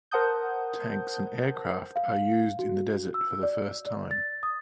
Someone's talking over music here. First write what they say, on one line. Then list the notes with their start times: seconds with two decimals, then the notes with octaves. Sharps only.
Tanks and aircraft are used in the desert for the first time.
0.11 A#4 C5 F#5 A5 D#6 G6
1.96 F5
2.59 F#4
3.14 E6
3.43 D5
3.87 D5
4.11 A6
4.43 D#6